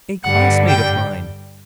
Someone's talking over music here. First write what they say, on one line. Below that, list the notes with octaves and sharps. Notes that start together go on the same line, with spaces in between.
"A classmate of mine."
G2 D3 G3 F#5
G5